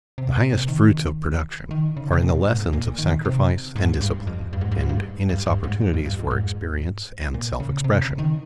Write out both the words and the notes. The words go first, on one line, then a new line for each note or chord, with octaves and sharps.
The highest fruits of production are in the lessons of sacrifice and discipline, and in its opportunities for experience and self-expression.
C3
A#2
C3
D#3
D#3
C#3
C3
A#2
G#2
A#2
D#3
C3
G#2
G2
F2
G2
G#2
G2
G#2
G2
G2
G2
G#2
F2
G2
F2
G#2
A#2
C#3
C3
C#3
D#3